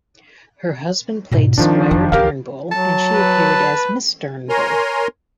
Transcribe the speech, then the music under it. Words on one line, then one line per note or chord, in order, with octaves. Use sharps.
Her husband played Squire Turnbull and she appeared as Miss Turnbull.
G#2 B2
D#3 F3 C4 D4
F1 D3
C#2 C#3 G4 A#4 F5
F#3 A5
B4
A#4 C#5 G#5 A#5 C6